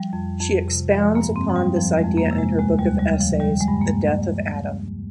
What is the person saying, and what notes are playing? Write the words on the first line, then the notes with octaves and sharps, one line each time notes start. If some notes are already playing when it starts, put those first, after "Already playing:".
She expounds upon this idea in her book of essays, The Death of Adam.
Already playing: F3 G3
F2
F2
C3
F3 G#3
A#3
G2
C4
F3
G3
F2 F3
G#3
F2
A#3
C3
G#3
D#2 G#3
G3
D#2
G3
C#3
F3
D#3 G3
G#3
G2
A#3